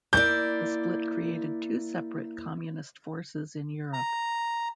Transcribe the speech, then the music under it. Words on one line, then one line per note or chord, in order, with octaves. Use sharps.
The split created two separate communist forces in Europe.
A#3 E4 D5 G6
A#5